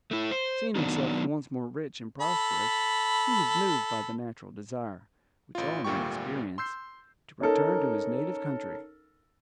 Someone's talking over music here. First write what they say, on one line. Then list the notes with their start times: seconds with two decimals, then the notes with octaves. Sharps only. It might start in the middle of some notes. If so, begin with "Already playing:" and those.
Seeing himself once more rich and prosperous, he was moved by the natural desire, which all men experience, to return to his native country.
0.11 A3 E4
0.31 C5
0.75 D#3 F#3 B3 D4 D#4
2.21 A4 B5
5.55 A1 F4
5.84 G#1 D2 A#2 G3 G5 C#6
6.58 C6 E6 G6 C7
7.41 C#4 D#4 A4 A#4